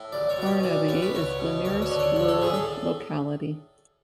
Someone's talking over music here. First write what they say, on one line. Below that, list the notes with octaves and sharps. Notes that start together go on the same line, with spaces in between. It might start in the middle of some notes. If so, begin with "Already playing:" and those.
Kharnavy is the nearest rural locality.
Already playing: A2
B1 D5
C#5
B2 D5
C#5
B1 D5
B2 C#5
B4
C#2 C#5
B2
D2 C#5
C#5
D3
C#5
A1 C#5
A4
A2 G#4
A4